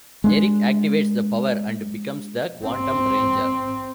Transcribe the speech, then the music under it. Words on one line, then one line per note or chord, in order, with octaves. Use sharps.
Eric activates the power, and becomes the Quantum Ranger.
G#3 A#3 D4
C4